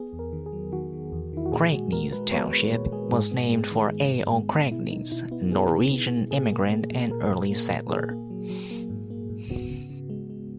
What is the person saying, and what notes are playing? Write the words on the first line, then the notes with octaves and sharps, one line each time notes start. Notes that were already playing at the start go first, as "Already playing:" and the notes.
Kragnes Township was named for A. O. Kragnes, a Norwegian immigrant and early settler.
Already playing: B3 G#4
E2
A#4
D#3
G#4
F#3
D#3 F#4
D#3
E2
D#3 E4
F#4
A#2 G#4
G#3 F#4
G#3 A#4
G#3 B4
B3 C#5
G#3 B4
A#2
G#3 G#4
G#2 G#4
B3
G#3
D#3
G#3
G#2
G#3
B3
B2 E4
B2 D#4
B2 E4
B3 E4
B3 G#4
B2
B3
B2
A#2 G#4
A#3
A#3
A#2
A#2 A#4
A#2
A#3
A#2
A#3 G#4
A#3
F#3
F#3
A#3
G#2
A#3
G#2
B3 F#4
C#3
C#3
G#3
G#3